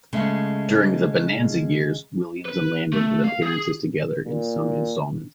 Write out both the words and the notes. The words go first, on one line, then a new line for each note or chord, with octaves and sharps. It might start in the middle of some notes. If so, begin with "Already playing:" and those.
During the "Bonanza" years, Williams and Landon did appearances together in some installments.
C#3 G#3 A3
B4
A3
F5
G#4
A#2